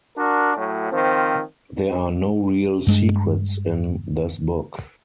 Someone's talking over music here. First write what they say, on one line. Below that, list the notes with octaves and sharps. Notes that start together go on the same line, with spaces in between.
There are no real secrets in this book.
D4 F#4 A#4
A2 F#3
D#3 F3 C4
G2 G#3